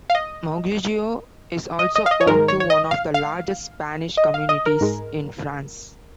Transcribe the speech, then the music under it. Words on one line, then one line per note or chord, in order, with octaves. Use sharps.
Mauguio is also home to one of the largest Spanish communities in France.
F5
D#5
D#5
D#5
F5
D#5
C#5
G#2 D#3 G#3 A#4
C#5
C#5
D#5
F5
F5
D#5
F5
D#5
A#4
G#2 G#3